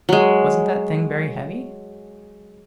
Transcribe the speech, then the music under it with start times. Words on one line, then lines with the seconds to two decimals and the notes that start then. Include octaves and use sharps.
"Wasn't that thing very heavy?"
0.09 F#3 G#3